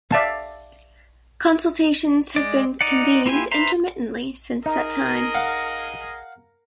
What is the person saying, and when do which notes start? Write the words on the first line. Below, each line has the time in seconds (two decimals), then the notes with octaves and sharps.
Consultations have been convened intermittently since that time.
0.12 D5 E5 F5 A5
2.36 G#3 D5
2.81 D#4 D5 F#5
3.26 A#3 E4 F4 G4 G#5
3.51 B4 C5 E5 A#5 C6
4.66 D#4 G#4 A#4 D#5
5.35 F5 F#5